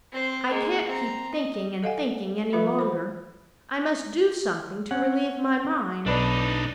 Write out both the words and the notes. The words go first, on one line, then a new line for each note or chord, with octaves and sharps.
I can't keep thinking and thinking any longer; I must do something to relieve my mind.
C4 C5
G#3 A#3
C4 A#5
D#5
A4 D#5 F5 F#5 G#5
F3 G3 F4 B4 E5 B5
C5 B5
C#4 F#5
B1 D4 D#4 B4 D5